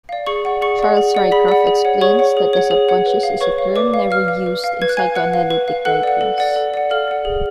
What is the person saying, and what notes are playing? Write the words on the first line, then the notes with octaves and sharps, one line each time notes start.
Charles Rycroft explains that the subconscious is a term "never used in psychoanalytic writings".
D5 F5
G#4 C#6 C#7
D5 F#5
G#4 C#6 C#7
D5 F#5
G#4
D5 F#5
G#4 B5 B6
D5 F#5
G#4
C#5 F#5
G#4 C#5 C#6
C#5 F#5
G#4
C#5 F#5
G#4
C#5 F#5
B4
F5
B4 C#5 C#6
F5
B4 D5 D6
F5
B4 F5 F6
F5
B4
F5
B4 G#6
F#6
F5 G#5 G#6
B4 F#5 F#6
F5
B4
F5
A4 F#5 F#6
D5 F#5
A4
D5 F#5
A4
D5 F#5
A4 F5 F6
D5 F#5
G#4